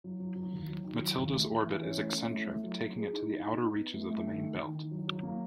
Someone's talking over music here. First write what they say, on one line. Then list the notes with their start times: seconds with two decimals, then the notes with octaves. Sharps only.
Mathilde's orbit is eccentric, taking it to the outer reaches of the main belt.
0.04 F#3
0.20 F#3
0.36 F#3
0.53 D#2
0.68 F#3
0.84 D#3
1.02 F#3
1.17 D#2
1.33 A3
1.49 E3
1.66 E3
1.82 C#4
1.99 A3
2.14 C#4
2.31 A3
2.47 A3
2.64 F#3
2.80 F#3
2.97 G#4
3.13 D#4
3.28 D#4
3.45 D#4
3.62 D#4
3.78 B3
3.94 A3
4.10 A3
4.26 D#3
4.42 D#3
4.58 D#3
4.74 D#3
4.91 F#3
5.08 F#3
5.23 A#3